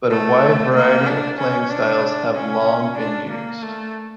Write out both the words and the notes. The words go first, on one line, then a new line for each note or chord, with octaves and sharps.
But a wide variety of playing styles have long been used.
A3
A#3
D4
C#4
D4
C#4
D4
A#3
A3